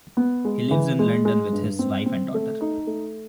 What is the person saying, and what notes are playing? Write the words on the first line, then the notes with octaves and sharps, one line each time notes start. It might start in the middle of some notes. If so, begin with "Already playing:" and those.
He lives in London with his wife and daughter.
B3
G#3
E3
G#3
G#3
G2
C4
C4
A3
D#4
A3